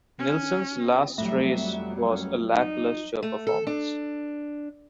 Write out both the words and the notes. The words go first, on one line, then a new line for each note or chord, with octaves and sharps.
Nilsson's last race was a lacklustre performance.
C#4
F2 F#3 G3 A3 E5
C#4
D#4
A3
A4
D4